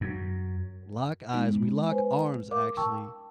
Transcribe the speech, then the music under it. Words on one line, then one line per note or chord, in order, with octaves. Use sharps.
lock eyes, we lock arms, actually,
F#2
G#3 B3 D#4
B4 C5 G#5
A#4 F5 D6
G5 A5 C#6 E6